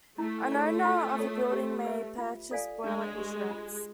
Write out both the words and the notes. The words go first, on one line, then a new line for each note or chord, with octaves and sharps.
An owner of a building may purchase boiler insurance.
A3 E4
G#4 C#5
F4
A4 C#5
G4
B4 E5
F4
A4 D5 F5 G#5
G#3 D4
G4 B4
F4